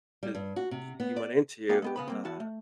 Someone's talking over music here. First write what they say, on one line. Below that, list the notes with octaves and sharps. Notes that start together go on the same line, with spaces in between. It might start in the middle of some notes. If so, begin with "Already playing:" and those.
that he he went into, uh,
G3
G2
F#4
C3
B3
D5
A#3 C4 C#4 D#4 F#4 G4
G#3 B3 G4
C#3 B3 B5
G3 A#3 C4
E2 E4 F#4 A5
A3